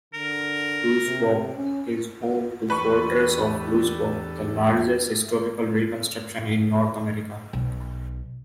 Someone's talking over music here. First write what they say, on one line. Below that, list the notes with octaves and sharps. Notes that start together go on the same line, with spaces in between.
Louisbourg is home to Fortress of Louisbourg, the largest historical reconstruction in North America.
D3 A#4
C3
C#4
E2 D4 G4 A4 B4 A5 C#6
B1